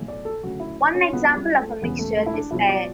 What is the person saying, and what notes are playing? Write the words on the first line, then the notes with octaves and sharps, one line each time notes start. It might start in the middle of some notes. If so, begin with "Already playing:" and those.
One example of a mixture is air.
Already playing: B1 A2 F#3
D5
A4
D2 C#3 F#3 F#4
E4
C#4
C#2 C#3 F#3 B3
G3
A3
E1 E2 C#3 E3 G3 B3
A3
A3
E4
D4
C#2 B2 F#3 E4
D5